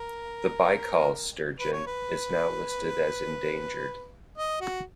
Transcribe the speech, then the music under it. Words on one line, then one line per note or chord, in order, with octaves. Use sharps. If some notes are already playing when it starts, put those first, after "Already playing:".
The Baikal Sturgeon is now listed as endangered.
Already playing: A#4
B4
C#5
B4
D#5
F#4